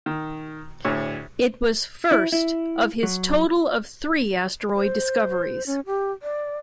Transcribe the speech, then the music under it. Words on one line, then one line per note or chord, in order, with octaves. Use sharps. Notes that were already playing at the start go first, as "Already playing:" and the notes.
It was first of his total of three asteroid discoveries.
D#3
D2 A2 D4 G#4 C#5 E6
E4
E4
F#3
C5
C#4
G4
D5